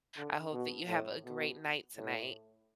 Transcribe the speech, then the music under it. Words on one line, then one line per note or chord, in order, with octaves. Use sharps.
I hope that you have a great night tonight.
D3
B2
A2
B2
A2